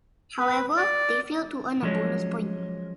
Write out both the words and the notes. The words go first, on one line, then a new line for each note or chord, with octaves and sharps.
However, they failed to earn a bonus point.
B4
D5
F3 F#3 G#3 C#4